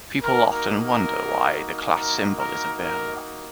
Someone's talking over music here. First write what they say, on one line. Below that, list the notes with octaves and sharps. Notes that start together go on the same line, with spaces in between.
People often wonder why the class symbol is a bell.
A#3 D#4 F#4 A#4
A#4
A#4
A#4
A#4
A#4